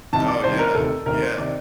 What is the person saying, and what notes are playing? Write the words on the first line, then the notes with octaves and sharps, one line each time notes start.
Oh, yeah, yeah.
C2 C3 D#3 A5
D5
C2 C3 D#3 C5
A#4
D2 C3 D#3 A4
D2 C3 D#3 A#4
C5
C3 D#3 D5